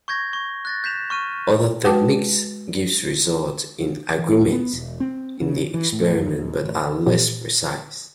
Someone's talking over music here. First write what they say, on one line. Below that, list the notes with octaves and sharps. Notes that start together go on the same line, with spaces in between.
Other techniques give results in agreement in the experiment but are less precise.
C#6 G6 G#6 A#6
C#6
F#6 A6 A#6
G6 B6 E7 F7
C#6 F6 D#7
G#3 F#4 B4 G5 A5 D6
E3
D1
B3
E1
C4
C#3
E3
A2
F#2
D#2
A1
A#2 E3 B3 F4 G4